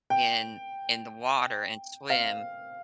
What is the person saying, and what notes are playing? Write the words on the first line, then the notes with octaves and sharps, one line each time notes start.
in in the water and swim.
G5
F5